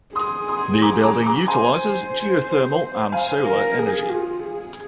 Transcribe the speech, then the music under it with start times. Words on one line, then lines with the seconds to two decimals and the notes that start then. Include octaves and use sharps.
The building utilizes geothermal and solar energy.
0.15 G#4 C6 D#6
0.48 C6 D#6
0.82 A#5 D6
1.03 A#5 D6
1.25 A#5 D6
1.47 C5 G#5 C6
3.12 F5 G#5
3.45 A#4
3.79 G#4
4.11 F4
4.45 G#4